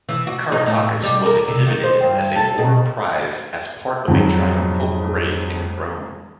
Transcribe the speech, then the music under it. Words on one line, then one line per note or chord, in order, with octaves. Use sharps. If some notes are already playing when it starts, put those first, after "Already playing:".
Caratacus was exhibited as a war-prize as part of a triumphal parade in Rome.
E3
F#4
D#4
A2
G3
A#4
C3
D#3
C5
G2
A4
B2
F2 G#2 F#3